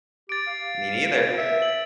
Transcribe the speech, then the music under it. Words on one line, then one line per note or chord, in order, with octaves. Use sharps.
Me neither,
G4 A6 D7
F5
E5
F#7